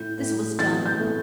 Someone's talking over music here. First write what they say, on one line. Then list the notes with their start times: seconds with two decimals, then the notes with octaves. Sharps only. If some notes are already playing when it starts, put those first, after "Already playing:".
This was done.
Already playing: A2 G6
0.19 A2
0.59 E3 A6
0.86 G6
0.99 A3